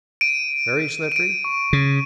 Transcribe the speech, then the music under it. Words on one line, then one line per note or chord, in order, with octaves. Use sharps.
"Very slippery?"
D7 D#7
D7 D#7
C#6
C#3